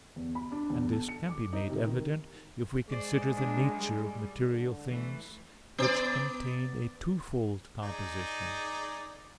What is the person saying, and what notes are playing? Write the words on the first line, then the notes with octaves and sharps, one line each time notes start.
And this can be made evident if we consider the nature of material things which contain a twofold composition.
E2
B5
D4
E2
A4
C#7
D6
D#4
C3
D#3
G#3 C5 D5
D4
G3
D3
E3 A3
B3 D5
D#4 G#4 D5